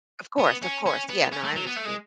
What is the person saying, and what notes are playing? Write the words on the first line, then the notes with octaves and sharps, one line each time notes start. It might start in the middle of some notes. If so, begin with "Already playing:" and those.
Of course, of course, yeah, no, I understood.
B3
C#4
C#4
B3
C#4
A3
F#3
B3
A3
G#3